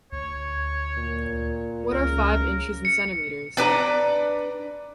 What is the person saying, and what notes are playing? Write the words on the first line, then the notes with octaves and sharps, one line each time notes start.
What are five inches in centimeters?
D2 C#5
A#2
C#2 C#3 A#4
C#7
D4 B4 D5 A#5